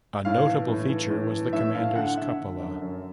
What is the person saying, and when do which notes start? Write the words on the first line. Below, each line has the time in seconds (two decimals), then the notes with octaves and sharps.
A notable feature was the commander's cupola.
0.25 A2 F5
0.47 E3
0.68 A2
0.89 E3
1.10 A2
1.31 E3
1.53 A2 E5
1.74 A2 F5
1.96 D3 F#5
2.17 D3 E5
2.38 D3
2.60 F#2
2.82 F#2